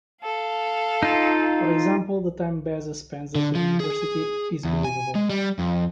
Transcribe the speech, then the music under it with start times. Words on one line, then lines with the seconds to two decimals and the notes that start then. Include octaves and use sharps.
For example the time Besa spends at the university is believable.
0.24 A4 F5
1.03 D#4 F4
3.35 D3
3.55 F3
3.80 G#4
4.65 E2
4.84 G#5
5.15 G#3
5.29 G3
5.59 F2